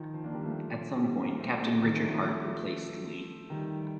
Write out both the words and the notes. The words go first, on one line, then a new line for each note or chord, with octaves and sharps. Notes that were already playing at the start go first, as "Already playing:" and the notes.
At some point Captain Richard Hart replaced Lee.
Already playing: D#3 F3
F3
A#3 D4
D#3 G3
F3 A3
D#3 G3
G3 A#3
A3 C4
D4
A3 C4
D#3
F3
F3 A3
F3 A3
D#3 G3